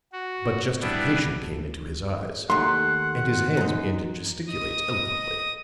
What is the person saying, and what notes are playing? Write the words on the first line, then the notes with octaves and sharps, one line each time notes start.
But justification came into his eyes, and his hands began to gesticulate eloquently.
F#4
G3 B3 D4 E4
D#2 D#3 A3 F#5 C6
F#2 D#4
D#5 D#6